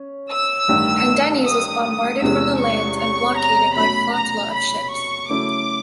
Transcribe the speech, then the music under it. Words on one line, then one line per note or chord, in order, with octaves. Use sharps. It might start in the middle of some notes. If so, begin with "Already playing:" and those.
Pendennis was bombarded from the land and blockaded by a flotilla of ships.
Already playing: C#4
E6
A1 G2 D#3 G3
D#6
D#6
E2 C3 E3 G#3 C#4 E6
C#6
C#6
A#5
B2 F#3 A3 C#4 B5
A#5
B5
C#6
C#3 F#3 A3 C#4 E4 D6